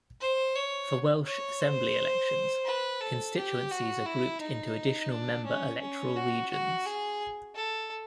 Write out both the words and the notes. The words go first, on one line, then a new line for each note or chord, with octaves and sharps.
For Welsh Assembly elections, constituencies are grouped into additional member electoral regions.
C5
C#5
C#5
C5
B4
A4
G4
F#4
E4
D#4
D4
C#4
C#4
F#4
F#4
G#4
A4